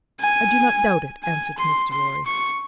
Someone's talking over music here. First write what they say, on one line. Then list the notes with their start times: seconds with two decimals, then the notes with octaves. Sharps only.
"I do not doubt it," answered Mr. Lorry.
0.20 G#5
1.23 G#5
1.58 C6
1.92 C6
2.26 C#6